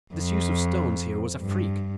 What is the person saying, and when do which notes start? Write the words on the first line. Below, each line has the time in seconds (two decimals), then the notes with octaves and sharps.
This use of stones here was a freak.
0.15 F2
1.40 G2